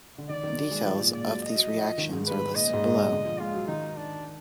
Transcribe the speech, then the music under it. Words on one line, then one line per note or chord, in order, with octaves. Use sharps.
Details of these reactions are listed below.
D3
D#3 D5
D#3
F#3
G#3
F3 D5
G#2
A#2
A#2 D5
F#3
D#5
F#3
F3
F3
D#3
G#2
B4
A#2 D#5
A#2
G#2
A#2
B2
D3
F3
G#3 F4
F#3
D#3 D#4
D4